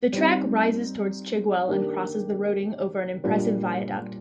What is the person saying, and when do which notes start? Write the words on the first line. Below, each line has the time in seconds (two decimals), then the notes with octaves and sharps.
The track rises towards Chigwell and crosses the Roding over an impressive viaduct.
0.13 G3 C4 D#4
1.68 D#3 A#3 D4 G4
3.24 A#2 G3 D4 F4